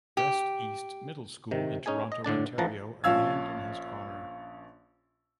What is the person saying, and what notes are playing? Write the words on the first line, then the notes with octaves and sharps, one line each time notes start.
Best East Middle School in Toronto, Ontario, are named in his honour.
G4
C3 D#3
C#4 D#4 G#4 G#5
D#5
A2 D3 D4 A5
A1 E3 F3 F#5 A5 A#5
A#1 F3 C#4 F5 E6 G#6